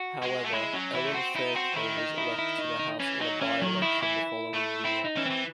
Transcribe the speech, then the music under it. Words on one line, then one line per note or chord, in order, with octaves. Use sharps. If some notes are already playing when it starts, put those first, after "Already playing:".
However, Ellen Fairclough was elected to the House in a by-election the following year.
Already playing: F#4
G#3
A3
G#3 E4
F#3 C#4
E3 E4
A3
C4 F#4
D#4 E4
C4 F#4
E3
D#3 E4
D#4
E4
E4
D#4
D#4
E3 C#4
F#3 D#4
E3 C#4
D#3 F#3
D#3 E4
E3 E4
A3
C4 E4
D#4
E3 C#4
C4
E3